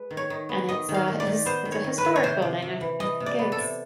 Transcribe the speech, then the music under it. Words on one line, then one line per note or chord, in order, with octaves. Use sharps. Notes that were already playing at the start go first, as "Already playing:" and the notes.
and it's a it's it's a historic building. I I think it's
Already playing: G#3 B4
D#3
C#5
D#3
B3
D#3 D#5
D#3
F5
D#3
D5
D#3
B3 C5
D#3
C#5
D#3
B4
D#3
C#5
C3 C5
C3
C3
E3
E3 D#5
C3
D5
B3
A4
C3